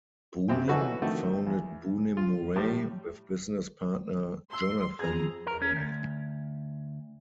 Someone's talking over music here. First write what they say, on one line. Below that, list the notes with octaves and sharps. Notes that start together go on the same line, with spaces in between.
Bunim founded Bunim-Murray with business partner Jonathan Murray.
F#2 C3 C4 G5
E3 F#3 D#4 F#4 A4 B4
D3 D#3 A3 C4 F#4
E2
F4
A2 G3
C6 E6
F2 G#4 A#5 G#6
A#4
C#4
D2